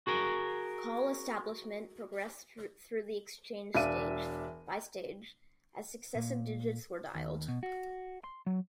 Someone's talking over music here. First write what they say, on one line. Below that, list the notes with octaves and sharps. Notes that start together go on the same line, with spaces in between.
Call establishment progressed through the exchange stage by stage, as successive digits were dialed.
F#4 G#4 A#4
E1 D4 E5 F5 D#7
A#2
D#2
B2
F#4
C6
F#3